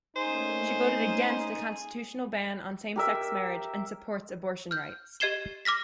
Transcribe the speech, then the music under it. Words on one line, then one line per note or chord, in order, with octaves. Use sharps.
She voted against a constitutional ban on same-sex marriage and supports abortion rights.
A3 A#3 C#4 D#4 G#4 C5
G4 A#4 E5
F6 G6
G4 D#5 G#6 C7 E7 G7
D6 F6 A#6 B6